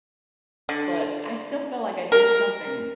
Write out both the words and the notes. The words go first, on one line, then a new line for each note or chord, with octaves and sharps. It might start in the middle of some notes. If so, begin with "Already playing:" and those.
but I still felt like I did something
D3
A#4